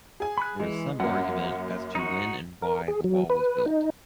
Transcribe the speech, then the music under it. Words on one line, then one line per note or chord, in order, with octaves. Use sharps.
There is some argument as to when and why the wall was built.
G#4 G#5
B5 F#6
E3 G#3
F#2 A#3 F#5
D#4 F#4
A#4
G#4
F#3
B4
D#4